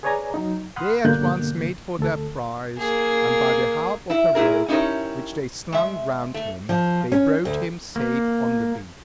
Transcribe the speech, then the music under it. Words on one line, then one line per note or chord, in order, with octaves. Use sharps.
They at once made for their prize; and by the help of a rope, which they slung round him, they brought him safe on the beach.
G#4 B4 C#5 D5 G#5 A#5
F#3 D#4
F#5 B5 C6 D#6 F6 F#6
G2 B2 D3 A#3 F#6 G6
D2 A4
A#3 G#4
E4 E5
G#2 E4 G#4 A#4
C#4 D#4 E4 G4 A#4 C#5
G#3 E5
A3
F3
C#4
D2
A#3